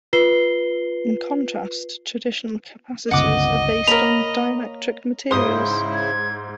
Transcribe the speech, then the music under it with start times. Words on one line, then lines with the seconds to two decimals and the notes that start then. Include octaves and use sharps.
In contrast, traditional capacitors are based on dielectric materials.
0.13 F4 B4 C7 G7
3.11 G1 C#2 D#5 F#5 D6
3.87 A#3 A#4 C#5 F5 B5 F7
5.31 G#2 C#3 E4 C5 C6 D#6
5.94 G#6